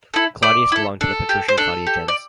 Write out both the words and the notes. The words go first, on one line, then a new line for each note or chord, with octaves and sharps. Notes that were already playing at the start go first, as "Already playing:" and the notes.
Claudius belonged to the patrician Claudia gens.
E4 A4
A3 D5
E4 A4
D4 A4
G4
C5
D4 A4
G4
D5